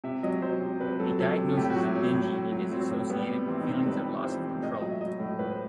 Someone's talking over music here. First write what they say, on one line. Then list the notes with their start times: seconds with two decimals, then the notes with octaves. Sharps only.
A diagnosis of binge eating is associated with feelings of loss of control.
0.04 C3 E5
0.23 F#3 D#5
0.42 F#3 C5
0.61 C3
0.80 C3 B4
1.00 F#3 A4
1.19 F#3 A4
1.38 C3
1.49 A4
1.57 A2 G4
1.70 F#4
1.76 F#3
1.83 E4
1.95 F#3
2.14 A2
2.33 A2
2.52 F#3
2.71 F#3 C4
2.91 A2
3.10 G3 B3
3.29 C3
3.48 E3 C4
3.61 D#4
3.67 C3
3.74 C4
3.86 G3 B4
4.05 C3
4.24 E3 C5
4.44 C3
4.62 A2 D#5
4.81 F#3 D#5
4.91 E5
5.01 F#3 D#5
5.20 A2
5.39 A2 B4
5.52 C5